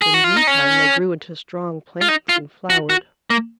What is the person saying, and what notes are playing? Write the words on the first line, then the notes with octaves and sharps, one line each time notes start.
In due time they grew into strong plants and flowered.
G#4
F#4
F4
D#4
C#4
F4
D#4
F4
F#4
F#4
A#3